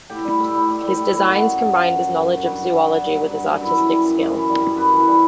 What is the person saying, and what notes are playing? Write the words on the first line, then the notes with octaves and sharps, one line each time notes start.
His designs combined his knowledge of zoology with his artistic skill.
A2 G4
G3
A2
G3
A2
G3
A2
G3
F#2 F#4
F#3
F#2
F#3
F#2
F#3
F#2
F#3
G2 F#4
F#3
G2
F#3
G2
F#3
G2
F#3
F#2 E4
E3
G3
F#2
F#2
E3
G3
F#2
F#2 B4
E3
G3